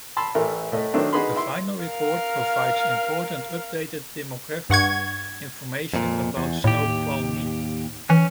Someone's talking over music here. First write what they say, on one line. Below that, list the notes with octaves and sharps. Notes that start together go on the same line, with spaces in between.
The Final Report provides important updated demographic information about Snoqualmie.
A5 B5 C6 E6
A1 E3 A3 A#4
A2 A3 D#5
D#3 F#3 A3 C4 D4
D#4 F#4 G#4 B4 B5 C6
E4 C6
A#4 F5
G2 F#5 C#6 G#6
F2 A#2
E2
D#2 A2 G4
E3 C#4